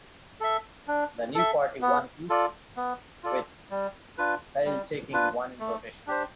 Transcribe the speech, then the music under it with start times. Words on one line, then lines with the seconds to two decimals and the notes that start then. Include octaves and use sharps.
The new party won two seats, with Pa'il taking one in rotation.
0.40 A4 E5
0.88 D4
1.35 A4 E5
1.82 B3
2.30 F4 A4 D5
2.77 B3
3.23 F4 A4 D5
3.71 G3
4.18 D4 F4 B4
4.65 G3
5.12 D4 F4 B4
5.60 A3
6.07 D4 G4 C5